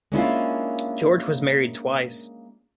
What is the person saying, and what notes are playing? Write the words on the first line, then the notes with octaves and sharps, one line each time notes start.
George was married twice.
G#3 A#3 C#4 D4 E4 F4